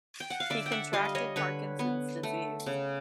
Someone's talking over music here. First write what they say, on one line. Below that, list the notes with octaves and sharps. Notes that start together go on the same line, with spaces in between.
He contracted Parkinson's disease.
G5
F#5
F5
D3 D5 E5
G5
E5 F#5
G3 D#5 F5
C#5 D#5
D3 B4 C#5
B3
A3
C#3